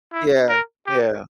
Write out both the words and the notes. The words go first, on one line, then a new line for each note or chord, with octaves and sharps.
Yeah. Yeah.
E4
A#4
G4